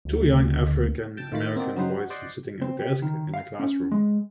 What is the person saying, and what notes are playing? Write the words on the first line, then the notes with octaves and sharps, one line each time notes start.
Two young African American boys sitting at a desk in a classroom.
D2
G5 A5
A2 D#3 F4 C#5 B5 A6
A#3 C4 D#4 F#4 D5
C#3 F#3 C4 D#4 B4 C5
F#4
C5 D5 D#5 F#5 C6
C4
G4
D#3
F5
C#4
G#3